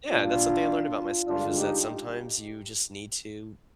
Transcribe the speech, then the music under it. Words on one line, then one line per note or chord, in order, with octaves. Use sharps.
yeah, that's something I learned about myself, is that sometimes you just need to
A#2 G3 D4 F4
G2 D3 G#3 D4 F4
D#4 G4